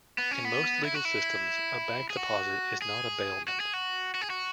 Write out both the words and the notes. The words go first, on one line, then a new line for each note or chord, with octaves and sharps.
In most legal systems, a bank deposit is not a bailment.
B3
C#4
B3
E4
F#4
E4
G#4
F#4
G#4
F#4
G#4
F#4
F#4
G#4
F#4